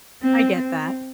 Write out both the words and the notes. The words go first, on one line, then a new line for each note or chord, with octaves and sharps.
I get that.
C4
C4